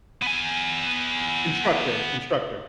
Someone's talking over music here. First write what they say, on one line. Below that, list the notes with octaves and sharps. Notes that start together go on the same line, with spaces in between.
Instructor, instructor.
B3 G#5